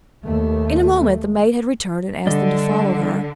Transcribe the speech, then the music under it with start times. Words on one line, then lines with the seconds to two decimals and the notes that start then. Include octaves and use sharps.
In a moment the maid had returned and asked them to follow her.
0.24 D#2 A3
2.27 D3 G3 D5 D#5